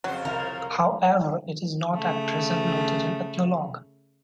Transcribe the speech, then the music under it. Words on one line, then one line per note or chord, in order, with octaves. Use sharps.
However, it is not at present noted in "Ethnologue".
F2 C#3 F#3 C5
C2 A#4 F5
C#3 A3